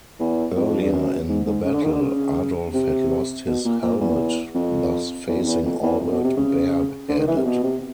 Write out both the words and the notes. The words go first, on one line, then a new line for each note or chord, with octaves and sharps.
Earlier in the battle, Adolf had lost his helmet, thus facing Albert bare-headed.
E2
F2
G2
F#2
G#2
G#2
C#3
D3
D#3
D3
C#3
C3
B2
A#2
A#2
E2
F2
E2
F2
E2
F2
E2
F2
B2
C3
C#3
D3
D#3
E3
C3
B2
C3